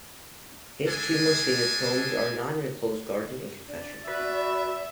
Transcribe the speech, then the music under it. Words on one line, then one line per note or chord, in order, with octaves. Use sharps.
His two most famous poems are "Not an enclosed Garden" and "Confession".
G#3 D4 A4 G#5
D4 D5
F#4 B4 E5